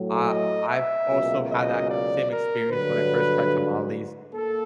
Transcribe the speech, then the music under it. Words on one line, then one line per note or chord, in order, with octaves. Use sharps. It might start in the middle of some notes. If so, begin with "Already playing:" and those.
I I've also had that same experience when I first tried tamales.
Already playing: A2 F#3 A3
D#5
E5
C#2 B2 F#3 A#3
D#5
D5
A#4
G2 D3 F#3 B4
A#3 A4